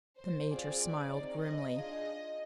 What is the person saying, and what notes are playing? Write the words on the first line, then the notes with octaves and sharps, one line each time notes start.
The Major smiled grimly.
C5
C4 F4 G#4 D5
C4 D#4 G#4 D5
D#5
D4 F4 G#4 D#5